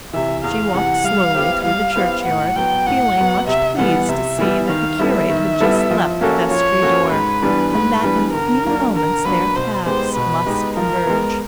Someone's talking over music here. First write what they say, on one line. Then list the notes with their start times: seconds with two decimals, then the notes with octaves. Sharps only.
She walked slowly through the churchyard, feeling much pleased to see that the curate had just left the vestry door, and that in a few moments their paths must converge.
0.13 C3 E3 E5
0.43 E2 F5
0.74 C3 E3 F#5
1.04 G3 F5
1.35 B3 E4 G4 C5
1.65 G3 F5
1.96 B3 E4 G4 C5
2.26 A2 F#5
2.56 F#3 B3 G5
2.86 A2 F#5
3.17 F#3 B3
3.47 C3 E5
3.78 E3 G3 B3 F#5
4.09 C3 E5
4.39 E3 G3 B3
4.69 D#3 F5
4.99 G3 B3 E4 A4 E5
5.29 D#3
5.60 G3 B3 E4 A4
5.91 F3
6.21 A#3 C#4 F#4 A4
6.51 F3 C#5
6.82 A#3 C#4 F#4 A4
7.12 G#2 B4
7.43 E3 G3 B3 D4
7.73 G#2 B4
8.03 E3 G3 B3 D4
8.34 D3 A#4
8.65 F#3 A#3 D4
8.95 D3 A#4
9.25 F#3 A#3 D4 B4
9.56 B2 C5
9.86 G#3 B3 D#4 G4 C5
10.16 B2 B4
10.46 G#3 B3 D#4 G4
10.77 F3 A#4
11.07 G#3 B3